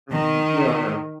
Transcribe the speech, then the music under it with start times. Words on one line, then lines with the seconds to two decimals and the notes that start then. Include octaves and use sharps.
Mhm, no no.
0.12 D#3